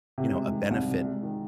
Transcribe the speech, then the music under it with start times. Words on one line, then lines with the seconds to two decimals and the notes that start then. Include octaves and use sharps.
you know, a benefit
0.18 C3
0.34 G#3
0.52 D#3
0.70 C2
0.88 C3
1.04 G#3
1.23 D#3